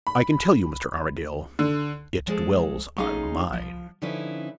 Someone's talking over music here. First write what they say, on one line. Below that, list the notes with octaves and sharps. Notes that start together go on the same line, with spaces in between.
I can tell you, Mr. Armadale, it dwells on mine!
B5
D3
F3 G#3 G#4 A4
A3 C#4 D#4 G#4 D#5 F5
F3
D3 F3 C#4 D#4 E4 B4